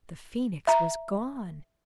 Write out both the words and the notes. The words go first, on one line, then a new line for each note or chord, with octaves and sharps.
The Phoenix was gone.
E5 A#5